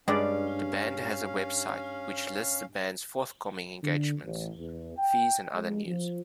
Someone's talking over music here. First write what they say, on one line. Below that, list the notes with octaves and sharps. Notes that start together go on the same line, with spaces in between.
The Band has a website which lists the band's forthcoming engagements,fees and other news.
G2 G#3 C#4 D5 F5
D3
A1
E2
G5
G#3
F3